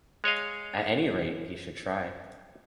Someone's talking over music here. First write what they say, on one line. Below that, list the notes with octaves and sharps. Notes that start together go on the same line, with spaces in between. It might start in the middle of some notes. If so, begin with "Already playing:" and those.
At any rate, he should try.
G#3 C#5 D#5 F5